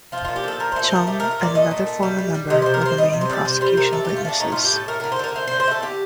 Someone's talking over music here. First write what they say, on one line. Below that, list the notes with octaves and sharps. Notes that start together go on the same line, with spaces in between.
Chung and another former member were the main prosecution witnesses.
F3 F4
F4
A#2
G4
F3 A4
A#2 A#4
C5
A3
C5
F3 A#4
A3 G4
A#4
A3
A#4
A#2 D5
A3 D#5
A#2
A3
G3
G3
G3
C3 D#5
C5
C3
A#4
C3 C5
G3 D#5
C3
C5
G3 D5
C3 C5
G3 C5
C3 A#4
A3 A4
G4
A3
F4
A3 D4
A2 D#4
F4
A2
G4
A2 A4
A3 A#4
A#4
D3
C5
D3 A#4
A3 C5
C5
D3
C5
A3 A4
D3 G4